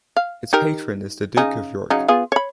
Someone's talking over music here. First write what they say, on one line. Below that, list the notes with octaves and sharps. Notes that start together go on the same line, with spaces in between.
Its Patron is the Duke of York.
F5
D#4 G4 A#4
C#3 D#4 G#5
C#3 F#3 D#4
B3 F4 G#4
C#5 B5